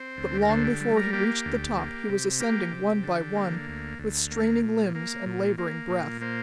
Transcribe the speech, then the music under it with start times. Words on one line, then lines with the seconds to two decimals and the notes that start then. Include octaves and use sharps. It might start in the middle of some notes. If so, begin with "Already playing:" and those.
But long before he reached the top he was ascending one by one, with straining limbs and laboring breath.
Already playing: C4 C5
0.17 D2
0.35 G4
0.43 A#4
0.49 D3 C5
0.65 G4
0.81 G3
0.97 A#4
1.13 A#3 G4
1.45 D2
1.77 A#3
2.09 C3
2.40 A#3 G4
2.73 C3
3.03 D3
3.35 A#3
3.68 D2
3.99 D2
4.31 A#3
4.63 A#2
4.95 A#3
5.26 A#2
5.58 A#3
5.90 A#2
6.21 A#3 C5